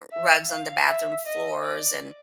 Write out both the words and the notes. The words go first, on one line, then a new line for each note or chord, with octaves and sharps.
rugs on the bathroom floors and,
E5
F5
E5
D#5
D5